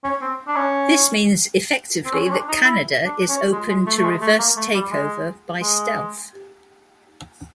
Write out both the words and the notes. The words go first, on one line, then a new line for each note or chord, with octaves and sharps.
This means effectively, that Canada is open to reverse takeover by stealth.
C#4
C4
D4
C#4
C4
C#4
C#4
D4
D#4
E4
D4
C#4
G#3
G#3
A3
A3
G#3
A3
A#3
A3
G3
G#3
G#3